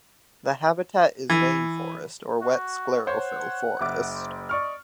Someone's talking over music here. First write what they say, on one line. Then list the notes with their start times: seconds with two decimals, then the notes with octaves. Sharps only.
The habitat is rainforest or wet sclerophyll forest.
1.30 E3
2.42 F#4
3.07 C5 C#5 F#5
3.81 F#1 E5 D6
4.14 C5
4.49 D5 D#5 C#6 F6